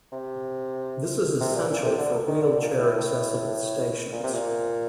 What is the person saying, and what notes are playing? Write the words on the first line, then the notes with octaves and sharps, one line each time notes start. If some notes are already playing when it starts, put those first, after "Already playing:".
This is essential for wheelchair accessible stations.
C3
C3
A#2
A#2
C3
D3
D#3
D3
A#2
A2
A2
A#2
C3
A#2